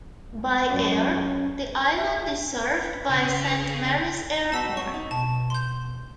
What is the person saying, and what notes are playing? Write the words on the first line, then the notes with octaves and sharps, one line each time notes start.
By air, the island is served by Saint Mary's Airport.
F#2 C#4
E5
B4
C#3
B3 F#4 C#5 A5 E6 B6
C4 F#4 C#5 C#6
D#4
B2 A5
C6 G6